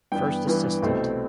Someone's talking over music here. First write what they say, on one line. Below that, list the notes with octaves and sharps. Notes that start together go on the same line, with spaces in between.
First Assistant.
G2 E3 B3 G5
G2 E3 B3
C2 B2 A3 C4